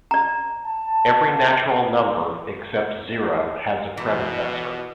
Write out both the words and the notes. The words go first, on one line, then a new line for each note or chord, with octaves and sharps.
Every natural number except zero has a predecessor.
D5 A#5
A5
B2 E3